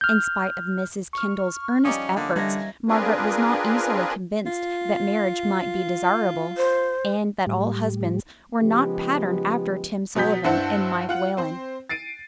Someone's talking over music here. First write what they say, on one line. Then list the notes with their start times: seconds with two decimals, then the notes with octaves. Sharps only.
In spite of Mrs. Kendall's earnest efforts Margaret was not easily convinced that marriage might be desirable, and that all husbands were not patterned after Tim Sullivan and Mike Whalen.
0.01 F6 G6
1.13 C#6 F6
1.85 F3 G3 C#4 D#4 D6 D#6
2.16 D3 A#3 C#4
2.36 D3 E3 G3 C#4 D#4 G#6 A#6
2.89 C4 D4 F4 G#4 A#4 B4
4.46 F4
6.57 C5
7.47 A2 G3
8.62 C#3 F3 G#3 B3 G4
10.15 B2 F#3 B3 G6 B6
10.44 G2 E4 C5 F#5 A5
11.09 F4 F#5 F#7
11.37 C4 C5
11.89 A6 C7 D7 D#7